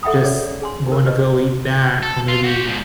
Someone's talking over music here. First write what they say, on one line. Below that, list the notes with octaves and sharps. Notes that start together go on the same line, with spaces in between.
just going to go eat that, or maybe,
A4 E5 F#5 G5 B5 D#6
C#4 G#4 C#5 D5
G#4 G#5 C6
D#4 A#4
F#4 G4 B4 C5 D#5
A4
F4
F#4 G4
G#2 F3